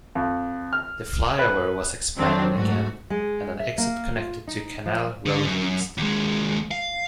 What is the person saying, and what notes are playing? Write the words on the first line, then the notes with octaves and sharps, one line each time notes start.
The flyover was expanded again and an exit connected to Canal Road East.
F2
F6
B4
F2 D#3 F#3 C4 D4
G#2 A3 F#4
G#3
E5
A#3
F4
D#4
F3
D3
F#2
D#2 G#3
F5